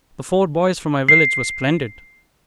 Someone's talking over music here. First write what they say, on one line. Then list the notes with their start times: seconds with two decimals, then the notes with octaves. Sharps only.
The four boys from my village were splendid.
1.09 C7